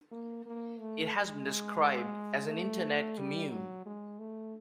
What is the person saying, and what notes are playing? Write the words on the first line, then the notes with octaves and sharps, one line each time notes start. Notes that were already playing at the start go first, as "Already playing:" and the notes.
It has been described as an internet commune.
A#3
A#3
A3
G#3
A3
G3
F#3
G#3
A3